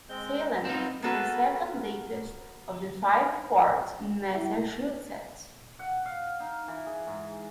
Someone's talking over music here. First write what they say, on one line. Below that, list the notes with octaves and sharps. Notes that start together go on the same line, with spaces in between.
Salem is the second deepest of the five ports in Massachusetts.
G#3 C4 G6
B3 C4 D#4 F4
A#3 B3 C#4 F#4 A4 B4
E4
F#5
F5
D#4
E3
G#4
G#2